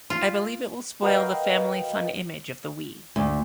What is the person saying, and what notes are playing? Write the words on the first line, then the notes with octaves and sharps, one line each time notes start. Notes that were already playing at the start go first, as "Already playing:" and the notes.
I believe it will spoil the family fun image of the Wii.
F4
F#4 A#4 B4 D#5 F5 G5
D2